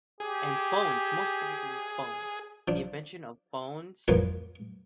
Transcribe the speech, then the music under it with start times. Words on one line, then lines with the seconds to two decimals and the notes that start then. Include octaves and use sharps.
and phones, most likely phones. The invention of phones,
0.20 G4 G#4
2.68 F3 D4
4.08 F2 A2 F3 A#3 B3 B4